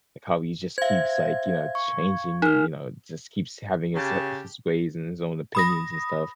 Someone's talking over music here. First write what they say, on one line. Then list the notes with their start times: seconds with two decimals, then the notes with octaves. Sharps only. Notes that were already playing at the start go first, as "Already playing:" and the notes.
like how he just keeps, like, you know, changing and, you know, just keeps having his, uh, his ways and his own opinions and stuff.
0.78 C5 E5 F5 G#6
1.75 C#6
2.42 D#4 A#4 F6
3.95 C#3 G4 A5
5.55 B5 D#6 A#6